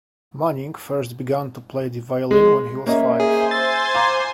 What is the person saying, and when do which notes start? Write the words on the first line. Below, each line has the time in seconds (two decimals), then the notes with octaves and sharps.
Manning first began to play the violin when he was five.
2.31 G#3
2.86 A#3 C#4 D#5 E5
3.20 G#4 C5 G#5 C6
3.51 E6 A6
3.95 F5 A#5 D6